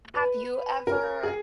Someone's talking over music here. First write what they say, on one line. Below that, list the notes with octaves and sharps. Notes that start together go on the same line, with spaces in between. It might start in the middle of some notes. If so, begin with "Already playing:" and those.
Have you ever
B4
A#4
G#4